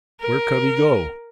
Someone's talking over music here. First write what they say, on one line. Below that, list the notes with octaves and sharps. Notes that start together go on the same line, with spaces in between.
Where could he go?
A#4